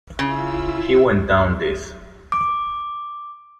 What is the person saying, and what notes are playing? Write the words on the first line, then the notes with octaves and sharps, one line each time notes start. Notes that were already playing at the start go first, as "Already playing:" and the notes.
He went down this.
C#3 E4 F4 E6
D6